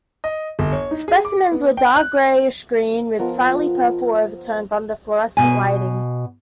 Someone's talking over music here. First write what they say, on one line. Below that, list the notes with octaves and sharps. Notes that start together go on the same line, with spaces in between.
Specimens were a dark greyish-green with slightly purple overtones under fluorescent lighting.
D#5
G1
C#5
D#4
G#4
D6
B3
G5
F#6
F3 B3 A#4 D#5
B2 G#5